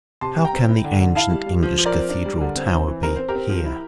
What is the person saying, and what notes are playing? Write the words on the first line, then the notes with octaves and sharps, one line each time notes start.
How can the ancient English Cathedral tower be here!
C3 A5 C6
G3
G5 A#5
C4
E4
D3
D3
E4 F5 A5
G3
G3
F3
F3
A#4 D5
C4
D4
G3
D3
C4
C4
E3
C4 A#4
C4 C5
G4 A#4
C4
F3
E4